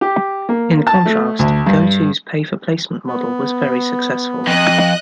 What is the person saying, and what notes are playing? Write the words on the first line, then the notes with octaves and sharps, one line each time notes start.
In contrast, GoTo's pay-for-placement model was very successful.
G4
A#3
A5
A3
D2
G2
B3
F2 D#5 F#6